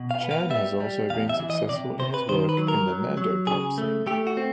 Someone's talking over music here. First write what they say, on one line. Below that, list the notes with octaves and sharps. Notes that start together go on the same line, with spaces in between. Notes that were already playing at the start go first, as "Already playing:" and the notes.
Chan has also been successful in his work in the Mandopop scene.
Already playing: B2
F5
B3
F5
G3 E5
G3
E2 F5
E5
E3
D#5
C3 D5
C3 C5
B4
D#3 C5
B4
F#3
A#4
F#3
F#3
C#3 G#4
A3
A3 G4
F#4
C4